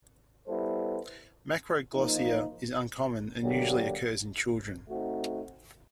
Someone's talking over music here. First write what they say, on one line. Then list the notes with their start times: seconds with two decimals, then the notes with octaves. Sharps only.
Macroglossia is uncommon, and usually occurs in children.
0.46 G3 B3 E4 A4 C5
1.93 F3 A#3 D#4
3.41 D3 F#3 A#3 D4 G4
4.89 A3 C4 D#4 F#4